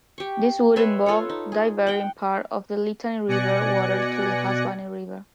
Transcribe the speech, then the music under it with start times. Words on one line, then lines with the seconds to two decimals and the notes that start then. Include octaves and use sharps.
This would involve diverting part of the Litani River water to the Hasbani River.
0.18 G4 C#6
0.76 B4 C#5 E5 C6
1.06 F4 A4 B4 C#5
1.29 D#4
1.52 G#4
1.87 F#5 G5
3.28 B2 D5 G#5 F#6 A#6 C#7